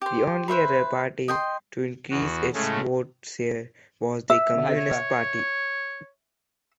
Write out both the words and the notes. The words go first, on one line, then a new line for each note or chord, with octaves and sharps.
The only other party to increase its vote share was the Communist Party.
G4 C5
B4 C5 E5 B5
D#5 G5 C6
E2 F#4
A2 C#3 G#3 A3
E5
C#5